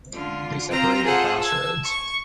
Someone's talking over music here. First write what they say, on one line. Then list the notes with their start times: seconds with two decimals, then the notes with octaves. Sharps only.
They separate at crossroads.
0.13 D3 F4
0.69 C4 F4 C5 A#5
1.04 F4 G#4 A4 C5 F#5
1.39 A5 E6 G#6
1.82 C#6